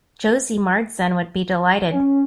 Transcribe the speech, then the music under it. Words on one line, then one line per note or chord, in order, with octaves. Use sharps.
Josie Marsden would be delighted.
C#4